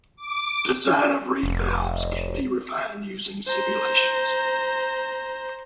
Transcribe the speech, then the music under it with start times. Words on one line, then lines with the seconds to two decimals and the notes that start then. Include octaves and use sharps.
Design of reed valves can be refined using simulations.
0.16 D6
1.43 F1
3.47 C5 A#5